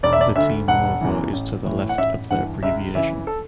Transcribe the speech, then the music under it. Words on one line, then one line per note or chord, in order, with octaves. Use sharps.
The team logo is to the left of the abbreviation.
E1 D5
E5
D5
D2 D3 E5
E1 F#5
E2 C#3 E3
A1
A2 E3
F#5
A1 E5
G2 E3 F#5
C#2 E5
C#3 E3 E5
A4